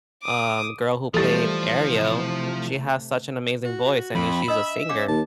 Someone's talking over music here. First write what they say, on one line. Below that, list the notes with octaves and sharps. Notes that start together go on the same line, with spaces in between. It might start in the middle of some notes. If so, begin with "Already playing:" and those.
um, girl who played Ariel, she has such an amazing voice. I mean, she's a singer.
D6 D#6
E3 F3 G3 A3 G4 A4 A6
C3 A3
F#4
F2 B5
D4 D#5 E5 D#6
C#4 C#5 F5 D6
D#2 A5